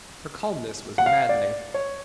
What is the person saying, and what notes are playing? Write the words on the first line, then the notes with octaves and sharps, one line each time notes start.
Her calmness was maddening.
F#5
F5
D5
C#5